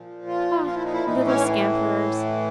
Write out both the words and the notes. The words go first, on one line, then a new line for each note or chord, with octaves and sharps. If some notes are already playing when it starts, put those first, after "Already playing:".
Ah, little scamperers!
Already playing: A#2 F3
F4
F4
E4
D#4
E4
A2 E3 D#4
C#4